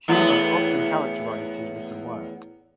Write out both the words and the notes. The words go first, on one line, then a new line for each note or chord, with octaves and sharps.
Humour often characterised his written work.
E2 A2 B3